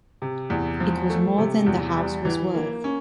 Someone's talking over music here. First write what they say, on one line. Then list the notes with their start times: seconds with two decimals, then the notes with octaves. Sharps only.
It was more than the house was worth.
0.22 C3
0.50 E2
0.80 F3
1.09 A3
1.38 C3
1.67 E2
1.96 G3
2.25 E3
2.55 A#3
2.84 C#4